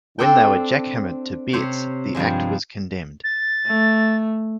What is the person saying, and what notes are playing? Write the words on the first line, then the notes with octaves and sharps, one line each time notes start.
When they were "jackhammered" "to bits" the act was condemned.
C4 D4 A4 G5
C3 C5 C#5
G2 F3 G#3
A6
A3